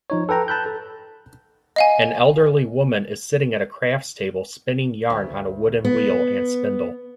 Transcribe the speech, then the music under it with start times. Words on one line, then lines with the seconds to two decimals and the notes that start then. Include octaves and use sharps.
An elderly woman is sitting at a crafts table spinning yarn on a wooden wheel and spindle.
0.10 F3 D#4 C#5
0.29 A4 B4 G5 A#5
0.48 A5 B5 F#6 G6
0.66 A4
1.76 D#5 F5 G#5
5.10 D2
5.85 B3